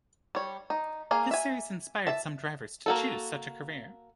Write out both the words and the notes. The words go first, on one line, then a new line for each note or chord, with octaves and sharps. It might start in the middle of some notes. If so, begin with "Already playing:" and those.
His series inspired some drivers to choose such a career.
G3 C#5
D#4
A#3 G#4 F5
E5 G#5
E5 A5
A#3 F#4 A4